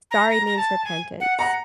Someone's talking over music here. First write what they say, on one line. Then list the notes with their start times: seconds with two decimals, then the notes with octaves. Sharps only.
sorry means repentance.
0.11 A#5
0.30 A#5
0.46 A#5
0.57 A5
0.84 G#5
1.20 F#5
1.38 F#5 A#5